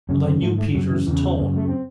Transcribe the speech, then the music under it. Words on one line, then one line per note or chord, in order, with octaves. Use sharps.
And I knew Peter's tone.
F#2 C#3 C#4
C4
G#2 A3
A3
F#2 C#3 F#3
E3
E2 C#3 E3
G#3
F#2 C#3 G#3
A3
C4